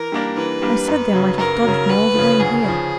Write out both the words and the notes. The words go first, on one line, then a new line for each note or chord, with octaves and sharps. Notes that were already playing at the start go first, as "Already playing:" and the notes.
"I said they might have dodged me all the way here."
Already playing: E3 A#4
G3 A#3 D4
E3 B4
G3 A#3 D4
F#2
C#3 F#3
F#2 A#4
C#3 F#3
D2 B4
C#3 F3
D2 G#4
C#3 F3